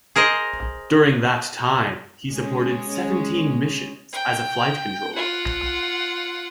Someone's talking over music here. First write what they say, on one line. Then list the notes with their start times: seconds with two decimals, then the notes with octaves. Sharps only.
During that time, he supported seventeen missions as a flight controller.
0.16 G#4 A#4 C5 D#5
2.30 G#3 C#4
4.13 G5
5.16 F4 F#5